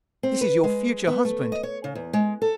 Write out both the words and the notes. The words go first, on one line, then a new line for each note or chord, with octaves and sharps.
'This is your future husband.
C4
B4
G#3
B3
A3
D#5
C#5
C#3
E2
G#3
A4